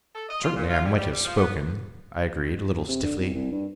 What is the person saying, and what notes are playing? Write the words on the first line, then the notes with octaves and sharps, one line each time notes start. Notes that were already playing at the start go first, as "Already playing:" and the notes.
"Certainly I might have spoken," I agreed, a little stiffly.
A4
D#5
F4
A#2
F4
G3
G3
G3
F3
B3
C3
D3
C2
C2
G2